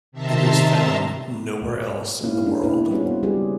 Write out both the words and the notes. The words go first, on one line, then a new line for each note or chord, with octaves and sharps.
It is found nowhere else in the world.
C3 D#3 E5 A5 A#5 C6
A#3 C#4 D#4 E4 F5
G#3 C#4 D4
A#3 E4 B4
G3 G#3 B3 C#4 F4 F#4
C4 C5
C#3 G3 G4 G#4 B4